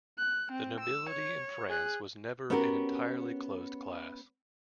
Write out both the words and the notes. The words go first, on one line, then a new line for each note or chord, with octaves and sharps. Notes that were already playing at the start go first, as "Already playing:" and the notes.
The nobility in France was never an entirely closed class.
F#6
C4
E6
C#5
G#4 F#6
B3 C#4 F#4 G4 A#4